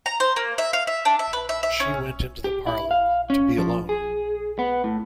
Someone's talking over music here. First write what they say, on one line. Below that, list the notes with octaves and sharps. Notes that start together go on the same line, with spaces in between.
She went into the parlour to be alone.
A#5
C5
A#3
E5
F5
E5
D4
E5
B4
E5
E5
C#4
G4
E4
F5
C#4
F3
G#4
B3
A2